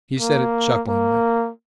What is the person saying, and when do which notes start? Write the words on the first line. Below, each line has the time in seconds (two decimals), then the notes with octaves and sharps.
He said it chucklingly.
0.20 A#3
0.88 A#3